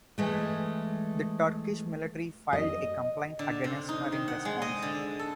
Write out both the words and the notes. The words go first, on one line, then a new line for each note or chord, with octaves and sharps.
The Turkish military filed a complaint against her in response.
E3 G#3 A3
D#5
D3
C3
D#4
D#3
F#5
G#3
D#5
D3
A4